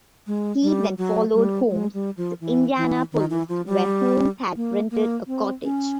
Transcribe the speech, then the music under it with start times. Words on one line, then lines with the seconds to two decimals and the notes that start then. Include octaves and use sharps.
He then followed Holmes to Indianapolis, where Holmes had rented a cottage.
0.27 G#3
0.63 G3
0.98 F#3
1.34 G3
1.70 G#3
1.94 G3
2.17 F3
2.41 E3
2.77 E3
3.13 D#3
3.30 E3
3.49 F3
3.67 G3
4.56 A#3
4.91 A#3
5.27 C4
5.63 C#4